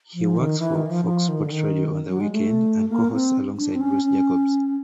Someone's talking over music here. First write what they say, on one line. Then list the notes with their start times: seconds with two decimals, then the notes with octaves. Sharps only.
He works for Fox Sports Radio on the weekend and co-hosts alongside Bruce Jacobs.
0.14 F3
0.37 D#3
0.59 E3
0.75 D#3
0.86 E3
0.90 F3
1.05 F3
1.29 D#3
1.45 D3
1.52 D#3
2.08 F#3
2.21 G#3
2.32 A3
2.89 A#3
3.12 C4
3.57 D4
3.75 C4
3.81 C#4
4.04 C#4